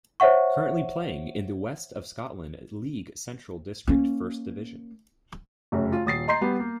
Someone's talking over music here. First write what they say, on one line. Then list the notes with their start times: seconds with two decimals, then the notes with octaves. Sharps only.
Currently playing in the West of Scotland League Central District First Division.
0.20 C5 C#5 E5 F#5 C#6
3.87 A#3 C#4
5.72 F1 F#2 C#3
5.92 F4
6.06 D#1 D#6 A6 C7
6.28 D#5 A#5 C6 G6 C7
6.41 G3 B3
6.60 A#3